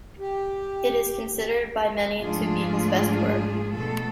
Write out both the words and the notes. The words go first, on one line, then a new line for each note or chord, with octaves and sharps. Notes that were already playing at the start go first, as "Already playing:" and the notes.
It is considered by many to be his best work.
G4
G#2 F3 A3 D4 F4 G#4
B2 A3 A4